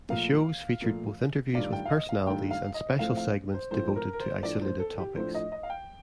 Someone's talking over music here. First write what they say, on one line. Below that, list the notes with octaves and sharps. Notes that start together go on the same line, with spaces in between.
The shows featured both interviews with personalities and special segments devoted to isolated topics.
A#2 F3 A3 F5
A#2 F3 A3
G2 D#3 A3 D4 F4 D5
G5
F5
D#5
F5
G2 D#3 A3 D4 F4 G5
F5
D#5
A2 F3 A3 C4 F5
F5
C5
A2 F3 A3 C4 C5
A#4
A#4
C5
A2 F3 A3 D4 D5
C5
A4
G4
A2 F3 A3 D4 C5
D#5
D#5
F5
G5